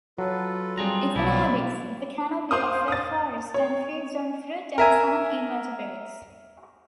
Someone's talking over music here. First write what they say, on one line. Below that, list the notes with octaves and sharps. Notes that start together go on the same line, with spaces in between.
It inhabits the canopy of wet forest and feeds on fruit and some invertebrates.
F#3 F4 A4 B4
G3 C4 F4 G#4 A#5
B1 E3 F#3 C4 D4 E4 D5
C5 F5 C6 D6 D#6
D#6 A6
C#5
A#4 E5 G#5